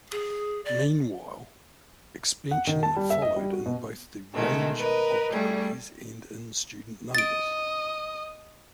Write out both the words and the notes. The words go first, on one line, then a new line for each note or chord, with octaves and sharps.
Meanwhile, expansion followed in both the range of degrees and in student numbers.
G#4
D5
F#5
D#3
A5
G3
E5
D#5
G3
F#4
B2
B2 D#3 G#3 A3
A#4 B4 D#5
G3 A3 G#4
D#5 A6 D7